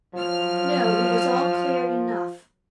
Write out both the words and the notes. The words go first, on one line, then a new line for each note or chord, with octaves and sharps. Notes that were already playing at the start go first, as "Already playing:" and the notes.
No, it was all clear enough.
F3 F#3 F6